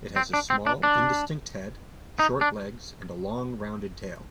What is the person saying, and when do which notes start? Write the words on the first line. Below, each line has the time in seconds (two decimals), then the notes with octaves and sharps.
It has a small, indistinct head, short legs, and a long, rounded tail.
0.16 C4
0.33 D4
0.50 C4
0.66 D4
0.83 D4
2.19 D#4
2.41 D4